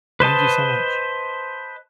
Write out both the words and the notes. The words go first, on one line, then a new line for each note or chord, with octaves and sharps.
Thank you so much.
B4 C5 D#5 A5